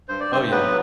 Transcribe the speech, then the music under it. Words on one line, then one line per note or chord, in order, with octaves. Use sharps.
Oh, yeah.
G2 C5
D5
G2 C4 C5
F#3 B3 B4